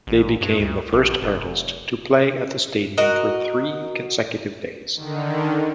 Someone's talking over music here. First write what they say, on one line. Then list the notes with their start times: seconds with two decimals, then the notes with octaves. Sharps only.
They became the first artist to play at the stadium for three consecutive days.
0.07 A1
0.41 G2
0.60 D2
0.93 A#1
1.22 F1
2.97 F#4 A#4 D#5
4.96 D3 D#3